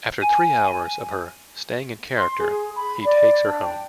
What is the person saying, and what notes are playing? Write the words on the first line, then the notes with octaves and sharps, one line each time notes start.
After three hours of her "staying in character", he takes her home.
G#5
C6
G#4
B5
D5
D4
G5